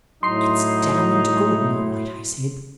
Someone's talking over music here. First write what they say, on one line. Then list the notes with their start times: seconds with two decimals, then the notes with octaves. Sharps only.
"It's damning to Gordon, all right," I said.
0.23 A2 F#3 D#4 E4 C6 C7